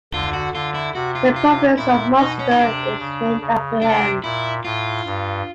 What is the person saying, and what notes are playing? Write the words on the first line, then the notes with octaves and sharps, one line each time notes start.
The province of Munster is named after him.
D3 F4
F#4
D3 F4
E4
C3 F#4
F4
F4
A#2 E4
B2 D#4
C#4
D#4
C3 D4
C#3
C#3
C3 D4
A#2 E4
A2 F4
G2